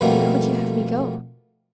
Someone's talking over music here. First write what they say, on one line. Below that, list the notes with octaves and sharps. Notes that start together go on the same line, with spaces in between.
"Where would you have me go?"
F2 B2 D#3 G3 A3 A#3